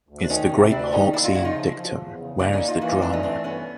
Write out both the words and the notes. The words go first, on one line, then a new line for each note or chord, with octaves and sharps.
It's the great Hawksian dictum, where is the drama?
D2
D4
D#3 C#4 D#4
C3
D2 D4 E4
D#3 C#4 D#4
A#3 D4 E4
D#4 F4
C#3 E4 F#4
D#4 F4
F3
F3
E2
C#3
A#3 D4 E4
C#4 D#4
A#3
D#4 F4
E3 E4 F#4
D#4 F4
A3 D4 E4
C#4 D#4
E3 C4 D4
G2 B3 C#4